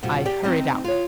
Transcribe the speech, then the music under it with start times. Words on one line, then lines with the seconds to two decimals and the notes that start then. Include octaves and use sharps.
I hurried out.
0.03 F2 B2 G3 F4
0.26 G4 D5 G5
0.43 D2 C4 D#4 D#5
0.84 F4 C#5